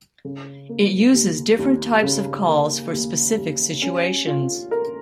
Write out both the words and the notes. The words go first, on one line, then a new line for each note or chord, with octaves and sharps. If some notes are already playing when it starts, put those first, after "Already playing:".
It uses different types of calls for specific situations.
C#3
A#3
D#2
D#2
C#3
A#3
D#2
D#2
C#4
F4
A#4